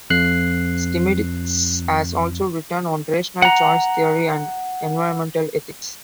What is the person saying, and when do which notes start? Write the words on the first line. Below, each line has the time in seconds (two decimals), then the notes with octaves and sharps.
Schmidtz has also written on rational choice theory and environmental ethics.
0.10 F2 F#6 C7
3.42 F#5 A#5